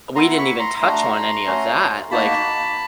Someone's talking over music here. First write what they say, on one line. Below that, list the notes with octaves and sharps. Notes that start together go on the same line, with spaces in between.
We didn't even touch on any of that. Like,
B3 E4 A#5 C6
B5 C#6
A#5 C6
A3 D4 F#4 A#5 C6
A3 C#4 F#4
A#3 D#4 F#4 A5 B5